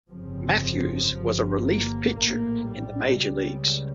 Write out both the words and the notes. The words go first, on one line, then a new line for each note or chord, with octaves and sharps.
Matthews was a relief pitcher in the major leagues.
G1 F2 C#3 F3
G1 G2
A#3
A#1 A2 A#3
G3
C#2 C#3 G3